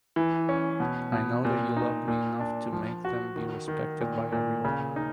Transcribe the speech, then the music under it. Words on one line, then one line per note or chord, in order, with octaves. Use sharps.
I know that you love me enough to make them be respected by everyone.
E3
C#4
B2
B2
A#2
D#4
A#2
D4
F3
F#4
D#3
D#3
A#2
A#2
C#3
D#4